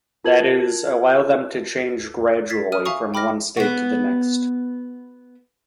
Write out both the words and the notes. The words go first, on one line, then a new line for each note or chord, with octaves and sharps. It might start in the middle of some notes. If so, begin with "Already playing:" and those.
That is, allow them to change gradually from one state to the next.
F4 A#4 A5 G#6 F#7
G#6 A6 B6 C7
D#6 F6 D#7
E5 F5 G#5 A#5 C#6 D#6
G5 B5 D6 F6 A#6
B3 F#4